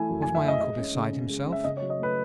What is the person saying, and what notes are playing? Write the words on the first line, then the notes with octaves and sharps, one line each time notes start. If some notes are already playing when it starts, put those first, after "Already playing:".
Was my uncle beside himself?
Already playing: E3 A3 E4 G#5
F#2
G#5
E3
E5
A3 D#5
G#3 D#5
C#4
C#3
C#3
G#3
C#4
E5
C#3 D#5
C#5
F#3
D#5
A3 B4